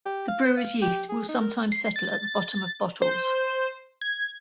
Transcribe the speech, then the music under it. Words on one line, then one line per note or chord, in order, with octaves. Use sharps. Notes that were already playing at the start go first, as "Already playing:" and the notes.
The brewer's yeast will sometimes settle at the bottom of bottles.
G4
F5
C5
F5
G4
G#4
D#4
A#4
C7
A6
C5
G#6